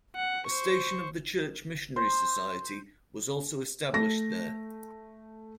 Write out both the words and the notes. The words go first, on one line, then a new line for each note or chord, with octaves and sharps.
A station of the Church Missionary Society was also established there.
F#5
C5 C#6
C5
A3 A#6